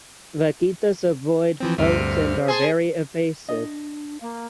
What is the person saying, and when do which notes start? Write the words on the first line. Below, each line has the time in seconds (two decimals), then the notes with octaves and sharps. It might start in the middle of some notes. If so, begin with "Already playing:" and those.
Vaquitas avoid boats and are very evasive.
1.60 E3 F3 C4
1.78 D2 G2 C3 F6
2.48 G#4 A5 C6 G#6
3.49 D4 D#5
4.21 A#3 F5